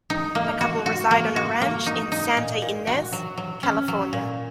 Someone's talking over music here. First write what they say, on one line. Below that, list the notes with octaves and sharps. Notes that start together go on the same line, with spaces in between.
The couple reside on a ranch in Santa Ynez, California.
D#4
A#3
F#4
F#4
A#3
F#4
A#3
D#4
D#4
A#2
A#2
F#4
F#3
F#3
C#4
F#3
A#2